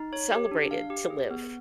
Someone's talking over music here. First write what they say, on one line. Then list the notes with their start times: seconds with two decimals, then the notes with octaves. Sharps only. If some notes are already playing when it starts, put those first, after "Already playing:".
celebrated to live?
Already playing: D#4
0.13 C#5
0.32 G4
0.51 D4
0.71 F5
0.90 G4
1.10 G#4
1.31 B3